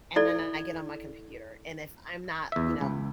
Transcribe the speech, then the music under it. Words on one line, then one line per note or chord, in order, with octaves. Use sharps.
and then I get on my computer. And if I'm not, you know,
E4 A4 D5
E2 E5
C#2